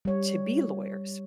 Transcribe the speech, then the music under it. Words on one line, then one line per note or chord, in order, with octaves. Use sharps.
to be lawyers,
G3 C#5